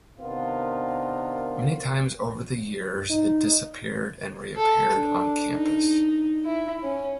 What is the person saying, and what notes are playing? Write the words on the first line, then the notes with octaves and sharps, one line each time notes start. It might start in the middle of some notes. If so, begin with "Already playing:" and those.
Many times over the years it disappeared and re-appeared on campus.
C3 D#3 B3 D4 F4 A#4
D#4
A4
D4
D#4
E4
C#4